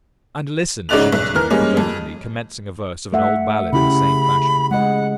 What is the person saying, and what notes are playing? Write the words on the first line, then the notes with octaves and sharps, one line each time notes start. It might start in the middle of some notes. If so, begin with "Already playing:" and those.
'And listen,' she continued, provokingly, commencing a verse of an old ballad in the same fashion.
G#2 C#3 D#4 D5 F#6 F7
B1
E3 A#4 F6
G3 G#3 A#3 C#4
F2
A3 E5 F#5
C#3 E4 G4 B5
G#3 D#5 F#5